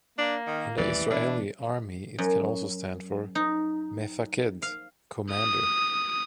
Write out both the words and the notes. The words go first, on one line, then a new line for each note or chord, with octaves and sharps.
In the Israeli army it can also stand for "mefaked", commander.
A#3 D4
D#3
A1 D#2 E3 G3 D5
B2 E3 D4 E4
F#2
D#4
F5
D#6